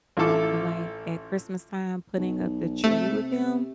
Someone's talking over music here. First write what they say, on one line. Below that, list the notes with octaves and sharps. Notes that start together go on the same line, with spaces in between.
like, at Christmas time, putting up the tree with him,
A1 E4 F4 A4 D6
B1
C3 A3